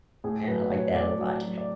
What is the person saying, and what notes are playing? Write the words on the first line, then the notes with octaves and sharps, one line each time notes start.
and I like that a lot.
A2 G#4
F#3 B4
F#3 C#5
A2 D5
F#3
F#3
D5